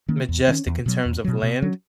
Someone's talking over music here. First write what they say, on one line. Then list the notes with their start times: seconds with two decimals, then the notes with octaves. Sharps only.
majestic in terms of land?
0.08 D#3 A#3 C#4
0.29 E2
0.47 D#3 A#3
0.51 C#4
0.66 E2
0.86 B2 F#3
1.05 E2
1.24 B2 F#3
1.43 B2
1.62 F#3 C#4